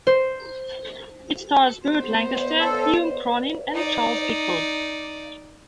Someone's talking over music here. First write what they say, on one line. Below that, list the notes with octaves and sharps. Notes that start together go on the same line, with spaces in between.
It stars Burt Lancaster, Hume Cronyn and Charles Bickford.
C5
B3 C5
A4
D#4 D5